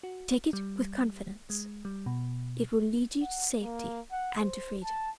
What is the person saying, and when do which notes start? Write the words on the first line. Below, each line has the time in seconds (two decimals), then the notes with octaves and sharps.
Take it with confidence--it will lead you to safety and to freedom.
0.03 F#4
0.53 G3
1.50 G#3
1.85 G3
2.06 B2
3.22 F#5
3.62 A#3
4.11 F#5
4.41 C5
4.83 A5